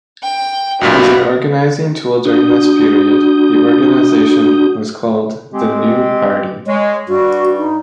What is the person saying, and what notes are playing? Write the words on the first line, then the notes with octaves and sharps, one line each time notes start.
As an organizing tool during this period, the organization was called the New Party.
G5
B1 G2 A#2 E4 F#4
D4 F#4 D#6 G6
G#3 C4 G4
G#3 C#5
G2 G3 F#4
D#4